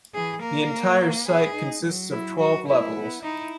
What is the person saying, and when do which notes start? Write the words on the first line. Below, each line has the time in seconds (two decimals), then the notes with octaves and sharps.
The entire site consists of twelve levels.
0.14 E3 G#4
0.42 A#3 A#4
1.27 B3 G#4
1.55 D#4
1.83 F#3
2.11 E4
2.39 F#4
2.66 A#3 E4
2.94 B3
3.23 D#4 E4